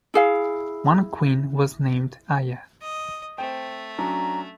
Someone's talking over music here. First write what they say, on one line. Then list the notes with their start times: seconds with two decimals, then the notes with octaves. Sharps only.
One queen was named Iah.
0.14 E4 G#4 F5
2.81 D#5
3.38 A3 C4 G5
3.98 F#3 C#4 D4 A#5